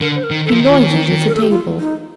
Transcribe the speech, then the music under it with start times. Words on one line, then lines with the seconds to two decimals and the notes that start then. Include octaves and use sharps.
He loitered at the table.
0.01 D3 A#4
0.15 C5
0.24 A#4
0.31 D#3
0.46 A4
0.52 F3
0.61 D#3
0.68 F4
0.90 D#4
1.27 A#4
1.35 A4
1.43 G4
1.50 F4
1.80 D#4